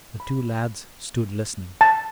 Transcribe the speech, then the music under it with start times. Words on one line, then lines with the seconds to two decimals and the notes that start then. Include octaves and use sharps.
The two lads stood listening.
0.20 B5
1.81 A5